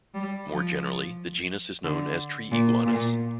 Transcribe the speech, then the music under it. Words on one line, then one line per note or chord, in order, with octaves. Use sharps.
More generally, the genus is known as "tree iguanas".
G3
F3
D3
A#2
A#2